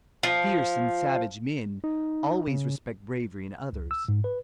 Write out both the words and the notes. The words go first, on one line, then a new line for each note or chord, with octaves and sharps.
Fierce and savage men always respect bravery in others.
F3
D#4
C#3
C#2
E6
G#2
B4